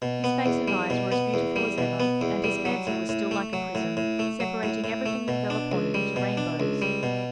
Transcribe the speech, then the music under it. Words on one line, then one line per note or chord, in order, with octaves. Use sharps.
His face and eyes were as beautiful as ever, and his fancy was still like a prism, separating everything that fell upon it into rainbows.
B2
B3
E2
G3
B2
B3
E2
G3
B2
B3
E2
G3
F#3
A2
A2
A3
F#3
A2
A2
A3
F#3
A2
A2
A3
B2
D4
C#2
G3
B2
D4
C#2
G3
B2